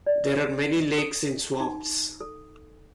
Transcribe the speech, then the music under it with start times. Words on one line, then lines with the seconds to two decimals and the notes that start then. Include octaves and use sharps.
There are many lakes and swamps.
0.06 D5
0.98 A4
1.60 D#4
2.21 A4